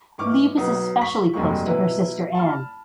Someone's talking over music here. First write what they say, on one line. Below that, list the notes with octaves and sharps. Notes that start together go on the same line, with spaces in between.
Lee was especially close to her sister Anne.
G#2 E3 C#6 D6 F6
B1 F#3 B3 D#6
C#6 B6 F#7
F1 G2 F#3 G#3 A#3 C#6
B2 F#3 E4 B4
A5 B5 F6